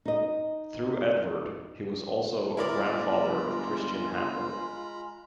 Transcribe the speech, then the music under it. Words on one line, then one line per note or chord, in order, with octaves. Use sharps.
Through Edvard, he was also a grandfather of Christian Hambro.
D#4 D#5
G1 G#3 E4 F4 A#4 D5 A#5 B5